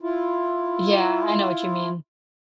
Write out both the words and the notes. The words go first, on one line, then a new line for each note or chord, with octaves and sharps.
Yeah, I know what you mean,
E4 F4